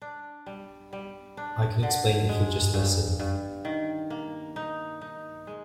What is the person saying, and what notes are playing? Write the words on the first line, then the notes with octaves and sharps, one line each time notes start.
I can explain if you'll just listen.
D4
G3
G3
D4
D3
G#3
G2
G2
D#3
A#3
D#4
D#4
G#3